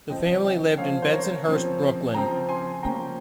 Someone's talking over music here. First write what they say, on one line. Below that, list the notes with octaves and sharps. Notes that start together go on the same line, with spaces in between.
The family lived in Bensonhurst, Brooklyn.
C#3 F3 C4 D#5 G5
D#5 G5
C#3 F3 C4 C#5 F5
C5
A#4 C#5
C#3 F3 C4
C#3 F3 C4 G5 A#5
G#5 C6
C#3 F3 A#3 C#4 G5 A#5